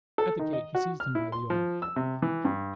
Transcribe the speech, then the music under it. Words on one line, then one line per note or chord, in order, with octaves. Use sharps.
At the gate, he seized him by the arm.
A4
D#3
D#5
F#4
F6
E4
C6
F3
E6
C3
E3
G2